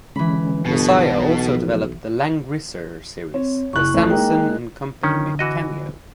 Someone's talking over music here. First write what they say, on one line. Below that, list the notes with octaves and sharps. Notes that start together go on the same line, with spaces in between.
Masaya also developed the "Langrisser" series, where Samson and company make a cameo.
D3 E3 G#3 C#4 B5
G1 B2 B3 A5
B1
F3
C4 C#5
F#1 E4 C#6 F#6
A1 A3
G#3 A#3 D#4 G5
D3 D#3 C#4
E3 F#4 D#5